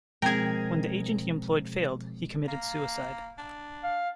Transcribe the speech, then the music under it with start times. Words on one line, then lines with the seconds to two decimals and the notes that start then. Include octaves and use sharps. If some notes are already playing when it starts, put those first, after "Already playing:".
When the agent he employed failed, he committed suicide.
0.22 B2 F3 G#3 C4 G#4 A#4 G5 G#6
2.48 A#3
3.38 D4
3.83 F5